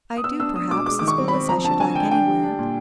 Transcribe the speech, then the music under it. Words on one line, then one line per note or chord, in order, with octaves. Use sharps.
I do, perhaps, as well as I should like anywhere.
D#6
B3 E6
D4 E6
D4 D#6
B2 D6
G#3 D6
D#3 D6
C#6
C4
B5
C4
F3 A#5
D3 A5
D3 G#5
D3 G5
D4 G5
G3
D4
A#2